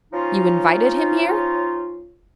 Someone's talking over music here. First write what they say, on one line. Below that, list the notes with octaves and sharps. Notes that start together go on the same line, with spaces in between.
You invited him here?
F3 C#4 D#4 F4